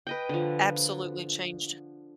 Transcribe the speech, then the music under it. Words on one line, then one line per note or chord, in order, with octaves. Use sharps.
absolutely changed
B4 D#5 G5
D3 F3